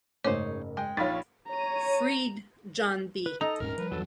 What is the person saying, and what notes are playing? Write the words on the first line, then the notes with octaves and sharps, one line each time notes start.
Freed, John B.
F#1 G#2 A3 C#4 D#4 C5 C#5 D6
G#3 G5
A#1 D#4 F4 C#5 B5 A6
C#5 A#5 D#7
B4
D#4 A4 D#5 A#5
D#1 G#2 C#4 A#4 F6
F3 G3 B4
E2 G2 E3 F#3 A4